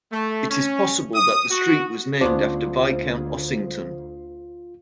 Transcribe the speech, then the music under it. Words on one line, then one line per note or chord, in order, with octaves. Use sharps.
It is possible that the street was named after Viscount Ossington.
A3
C#4
D#6
F#4
D2 B3 C#4 D4 F4 C5